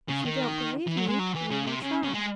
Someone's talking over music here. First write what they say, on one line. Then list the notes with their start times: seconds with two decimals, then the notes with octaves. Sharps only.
If you don't believe me, we will try.
0.09 C#3
0.25 D#3
0.88 E3
0.98 F#3
1.09 G#3
1.19 F#3
1.35 E3
1.51 C#3
1.67 C3
1.83 C#3
2.04 C#3
2.14 G#3